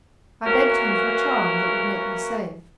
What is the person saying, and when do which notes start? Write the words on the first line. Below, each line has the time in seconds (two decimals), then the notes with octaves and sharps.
I begged him for a charm that would make me safe.
0.46 E3 A#3 C#4 F#4 A#4